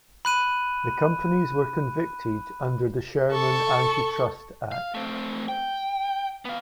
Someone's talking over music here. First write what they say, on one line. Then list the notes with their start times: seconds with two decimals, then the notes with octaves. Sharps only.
The companies were convicted under the Sherman Antitrust Act.
0.25 B5 F#6 D#7
3.31 A4 C#6
4.72 F5
4.94 A3 C4
5.48 G5
6.45 B3 F5